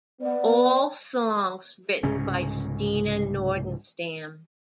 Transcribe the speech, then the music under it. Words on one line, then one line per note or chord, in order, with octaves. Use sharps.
All songs written by Stina Nordenstam.
B3 D5
C2 G#2 C#3 C#4